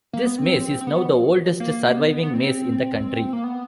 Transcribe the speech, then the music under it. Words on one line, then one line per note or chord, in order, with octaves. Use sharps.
This mace is now the oldest surviving mace in the country.
A#3
B3
C4
C4
B3
A#3
B3
B3
C4
A#3
B3